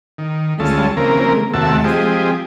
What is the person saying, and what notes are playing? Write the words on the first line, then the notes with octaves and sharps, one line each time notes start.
It's like the older, the wiser,
D#3
D2 G#3 C#4 F4 A5 E6
C#3 E3 A#3 C4 A#4
D#2 C3 F#4 E5 A5 E6
F3 C4 G4 G#4 D#5